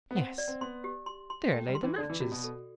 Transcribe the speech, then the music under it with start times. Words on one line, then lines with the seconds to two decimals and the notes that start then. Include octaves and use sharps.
Yes, there lay the matches.
0.11 B3
0.16 C4 F#5
0.38 D5
0.48 C4
0.61 B3 C6
0.84 G4
1.06 C6
1.30 C6
1.52 A3 G5
1.68 G3
1.75 C6
1.83 E3
1.98 D3 D5
2.09 E3
2.20 C3 F#4
2.32 B2
2.44 A4